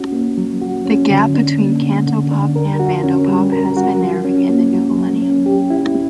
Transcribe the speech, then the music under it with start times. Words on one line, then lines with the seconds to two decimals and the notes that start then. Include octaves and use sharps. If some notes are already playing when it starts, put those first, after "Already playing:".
The gap between cantopop and mandopop has been narrowing in the new millennium.
Already playing: C#4 F#4
0.13 A#3
0.38 F#3
0.61 F#4
0.86 C#4
1.10 D3
1.34 D4
1.58 A#3
1.83 D3
2.07 D3
2.31 D4
2.56 A#4
2.80 F#4
3.04 C#4
3.28 G3
3.52 A#4
3.77 F#4
4.00 F#3
4.25 C#4
4.49 A#3
4.73 F#3
4.98 F#3
5.22 C#4
5.46 G4
5.70 E4